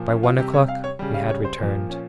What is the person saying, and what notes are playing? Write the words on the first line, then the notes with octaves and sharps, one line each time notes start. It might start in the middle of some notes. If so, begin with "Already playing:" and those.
By one o'clock we had returned.
Already playing: A#2 F3
C#4
F4
C3 G3 G4
C#5
F5
C#5
C#3 G3
F5
C#5
C5
A#2 F3
C#4